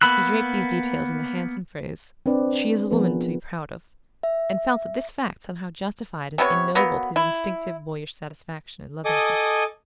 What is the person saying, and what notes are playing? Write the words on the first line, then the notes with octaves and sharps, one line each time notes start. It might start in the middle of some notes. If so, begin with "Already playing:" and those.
He draped these details in the handsome phrase "She's a woman to be proud of", and felt that this fact somehow justified and ennobled his instinctive boyish satisfaction in loving her.
A#3 B3 B5 E6 F#6
C4 D4 B4 D5 D#5
F3 B3 G#4 A#4 B4
E5
C3 B3 E4 C#5
F#3 A#3 B3
E4
A4 D#5 G#5 D6 D#6